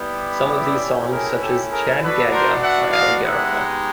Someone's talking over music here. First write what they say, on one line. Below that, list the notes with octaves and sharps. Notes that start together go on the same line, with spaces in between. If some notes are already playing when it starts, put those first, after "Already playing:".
Some of these songs, such as "Chad Gadya" are allegorical.
Already playing: G3 B3 E4 G4
D5 E5
A3 C#4 E4 G4
G#4 A#4
G4 A4
G#4 A#4
B3 D4 F#4 A4 B4
A#4 C5
E5 F#5
D#5 F5
G#3 B3 D#4 G4 E5 F#5